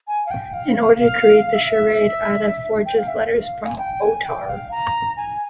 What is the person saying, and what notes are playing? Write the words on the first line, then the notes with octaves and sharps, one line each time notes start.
In order to create the charade, Ada forges letters from Otar.
G#5
F5
G5
F5
F5
F5
F5
E5
E5
G5
F5
E5
F5
G#5
G5
G#5
G5
F5
A#5
G#5